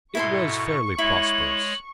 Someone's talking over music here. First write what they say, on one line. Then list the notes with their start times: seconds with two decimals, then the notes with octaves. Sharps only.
It was fairly prosperous.
0.15 G#2 B2 E4 A4 C6 C#6
0.98 G#3 E4 C#5 F#7